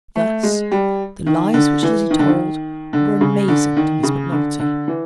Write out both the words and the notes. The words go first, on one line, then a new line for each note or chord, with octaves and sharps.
Thus the lies which Lizzie told were amazing to Miss Macnulty.
A3
G#3
G3
D#3
D3
E3
D#3
D3
D#3
D3
C#3
D3
D#3
C#3
D3
D3
E3